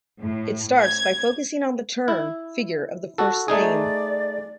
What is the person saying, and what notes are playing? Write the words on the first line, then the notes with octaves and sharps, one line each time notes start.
It starts by focusing on the "turn" figure of the first theme.
A2
G#6
E4
F#4 A4
A3 D#4 G#4 D5